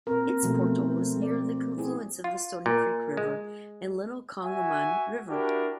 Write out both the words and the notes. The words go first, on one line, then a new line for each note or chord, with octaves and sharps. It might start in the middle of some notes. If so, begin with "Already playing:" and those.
Its portal was near the confluence of the Stonycreek River and Little Conemaugh River.
A#2 C4 A#4
B2 F3 A3
D5
C4 E4 G#4
F4
A#2
G#3
F#4 E5 G#5
D4 E4 F#4 G4 A#4